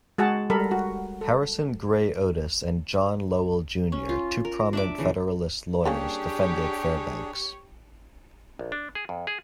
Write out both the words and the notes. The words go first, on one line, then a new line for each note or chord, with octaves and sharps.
Harrison Gray Otis and John Lowell, Junior two prominent Federalist lawyers, defended Fairbanks.
G#3 F#4 G#4 F#5 A5
G3 A4 A#4 B5
F#4
A4
C#4
F4
A#4
D4 E5 D6
C#3 E3
G3 A#3 C#4 D4 G4 G#4 C#5
A#1
D4
G#4
F2
G#4